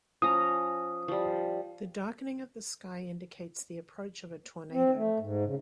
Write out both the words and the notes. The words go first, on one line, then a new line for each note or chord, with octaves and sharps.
The darkening of the sky indicates the approach of a tornado.
F3 C#4 A#5 D#6
F3 G3
C4
A3
G#2
C#3